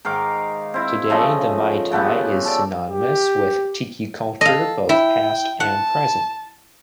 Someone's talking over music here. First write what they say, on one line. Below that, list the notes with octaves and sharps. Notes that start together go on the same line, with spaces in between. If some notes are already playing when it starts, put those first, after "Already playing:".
Today, the Mai Tai is synonymous with Tiki culture both past and present.
G#2 D#3 F5 D6
C4 E4
C#3 F3 A3 D#5
C#3 A3 B3 G4
A4 D5
G4
A4 D#5 F5
E4 G5
F#5 A5